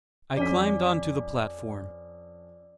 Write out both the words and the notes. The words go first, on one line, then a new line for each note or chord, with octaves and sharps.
I climbed onto the platform.
F2 C#4 D5 B6